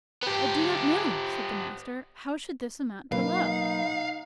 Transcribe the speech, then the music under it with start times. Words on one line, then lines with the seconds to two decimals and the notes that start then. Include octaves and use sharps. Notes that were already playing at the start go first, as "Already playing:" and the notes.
I do not know, said the Master: how should this amount to love?
0.23 B3 G4
3.12 B2 F#3 A#3 D#4 B4 F5